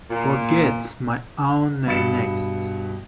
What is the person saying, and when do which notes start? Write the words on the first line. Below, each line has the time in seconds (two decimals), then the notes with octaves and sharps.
Forget my own name next.
0.10 A#2
1.87 G2 B2 A6 C#7 E7